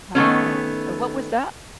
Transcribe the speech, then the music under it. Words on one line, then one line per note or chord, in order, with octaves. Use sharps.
Oh, and what was that
D#3 A3 B3 C#4